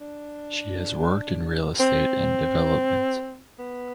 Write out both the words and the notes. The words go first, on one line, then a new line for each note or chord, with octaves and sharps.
She has worked in real estate and development.
D4
C4
B3